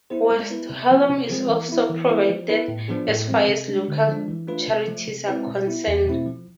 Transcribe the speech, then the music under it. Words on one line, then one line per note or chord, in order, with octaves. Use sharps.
West Hallam is also well provided as far as local charities are concerned.
B3 E4 G#4 C5
G#3
B3 E4 B4
C3
F3 B3
C3
F3 G#3 C4 G#4
E3
B3 E4
E3
G#3 B3 E4 B4
F3
B3 E4 B4
A2
F3 B3 D4 G#4
A2
F3 G#3 C4
C3
G#3 D4
D3
F3 G#3 D4
E3
A3 D4 F4 B4
C3
F3 A3
C3
G#3 C4 E4 B4
B2
B3 E4
E2
B2 A3 C4 E4
F3